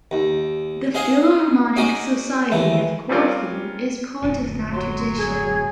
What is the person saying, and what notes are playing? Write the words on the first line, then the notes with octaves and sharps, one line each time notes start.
The Philharmonic Society of Corfu is part of that tradition.
D#2
G#4 C5 D#5 F5 F#5 G#5
G#3 C#4 D#4 F#4 D5 D#5
D#2 E3 A3
G3 C4 C#4 F4 A#4 D5
D1 F2 A#2
F#3 C6
G#4 G#6